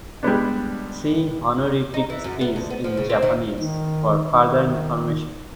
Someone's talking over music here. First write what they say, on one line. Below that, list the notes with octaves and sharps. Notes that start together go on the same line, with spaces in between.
See Honorific speech in Japanese, for further information.
G3 G#3 B3 D4
D#4
E3
F#2
B3
D2
B3
F3
C#3
C4
D#3
D#3
D#3